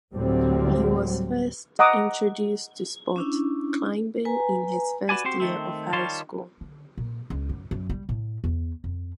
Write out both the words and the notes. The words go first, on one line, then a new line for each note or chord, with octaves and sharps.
He was first introduced to sport climbing in his first year of high school.
D2 A2 D3 F#3 G3 C4
D#5 F#5 A#5 D6 D#6
C#4 D4 E4
B4 G#5 A#5
F#4 B4 D5 G#5
C4 F#4 G4 C6
D#3 A3 C4
D#3 G3 F4 C#5 A5 C6
D3
A#2
C#2
F#2
F#2
G3
A2
E2
F2